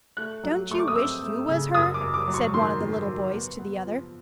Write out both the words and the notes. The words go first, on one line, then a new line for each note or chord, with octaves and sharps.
'Don't you wish you was her?' said one of the little boys to the other.
A3 F#6
F#3
A3 C#6
D6
D#6
C4 E6
A3
C#3
F#2 D#6
D6
F#2
D6
F#3
C#6
D#3 C6
D#3
F#3
B3
B3
F3